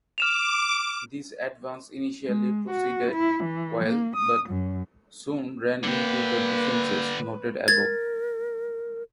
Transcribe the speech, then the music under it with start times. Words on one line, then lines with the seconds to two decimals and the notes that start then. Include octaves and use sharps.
This advance initially proceeded well but soon ran into the defenses noted above.
0.18 D6 F6 E7 F7
2.25 G#3
2.70 F#4
3.11 E4
3.43 E3
3.85 A#3
4.16 D#6
4.50 F#2
5.84 D3 A#3 G4 B4
7.68 A#4 G#6 A6